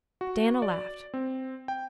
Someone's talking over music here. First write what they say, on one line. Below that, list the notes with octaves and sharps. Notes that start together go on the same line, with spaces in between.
Diana laughed.
F#4
D5
C4
G5